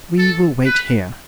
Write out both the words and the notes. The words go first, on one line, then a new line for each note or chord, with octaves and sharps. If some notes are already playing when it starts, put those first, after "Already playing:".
"We will wait here."
A4
B4